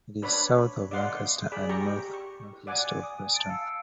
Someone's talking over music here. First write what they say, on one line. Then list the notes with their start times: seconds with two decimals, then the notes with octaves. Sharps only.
It is south of Lancaster and north-northwest of Preston.
0.22 D4 B4 C#5 D5 B5
0.91 D5 D#5 F5 F#5 C6
1.52 G#4 D5 B5
1.69 G4 G5 A#5 C#6
2.14 C#6
2.67 D5 F#5 G#5 D6
3.03 G#5 D#6
3.34 A5 A6 D7
3.49 F5 E6 C#7